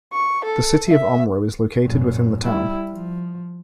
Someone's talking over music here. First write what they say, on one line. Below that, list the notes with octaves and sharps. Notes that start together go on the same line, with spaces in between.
The City of Omro is located within the town.
C#6
A4
E5
F#2 A#2
G3 E4
F3